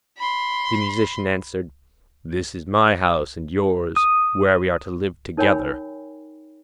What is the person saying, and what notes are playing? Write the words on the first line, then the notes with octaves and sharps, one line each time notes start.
The Musician answered: 'This is my house, and yours; where we are to live together.'
B5 C6
D#6
D#4 A#4 C#5 G5 G#5 B5